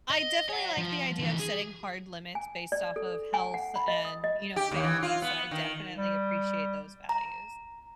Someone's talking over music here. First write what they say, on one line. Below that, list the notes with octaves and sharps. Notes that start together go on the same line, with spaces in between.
I definitely like the idea of setting hard limits based off of health and, you know, family, so I definitely appreciate those values.
D#5
C#5 F#5
F3
D3 E3
G#4
G#5
D5
A4
G#5
F#5
B5
D#5
D#6
D#5
G4
D#2
E3
F4
B3
D#3
G3
A#5